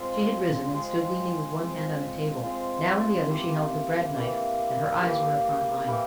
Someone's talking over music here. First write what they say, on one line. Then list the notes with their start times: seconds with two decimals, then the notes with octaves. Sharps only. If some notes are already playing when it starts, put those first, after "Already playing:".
She had risen, and stood leaning with one hand on the table; now in the other she held the breadknife, and her eyes were upon mine.
Already playing: G#3 C4 F4 G#4
0.73 G#3 C4 F4 G#4
1.59 G#3 C4 F4 G#4
2.43 G#3 C4 F4 G#4
3.29 E3 A#3 E4 G4
4.15 E3 A#3 E4 G4
5.00 E3 A#3 E4 G4
5.87 E3 A#3 E4 G4